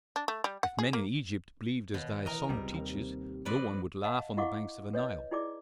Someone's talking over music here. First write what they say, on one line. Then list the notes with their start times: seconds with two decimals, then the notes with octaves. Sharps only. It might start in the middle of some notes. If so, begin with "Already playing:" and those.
If men in Egypt believed as thy song teaches, no one would laugh on the banks of the Nile.
0.16 D4
0.28 A3
0.44 G3
0.63 F#5
0.79 G#4
0.93 A#3
1.94 D#2 B2
2.26 E3 A#4 D#5
2.49 C#2 C3 G3 C4
2.73 D#2
3.45 F2 B4 D5
4.04 D#5 F5 F#5 A5
4.37 E4 D#5 F5 F#5 C#6 D6
4.93 B4 C#5 D#5
5.31 D#4 E4 G#4 D5 D6